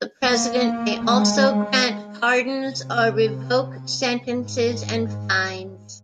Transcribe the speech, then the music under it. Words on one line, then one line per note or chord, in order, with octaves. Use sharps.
The president may also grant pardons or revoke sentences and fines.
A#3
G#3
C3
G#2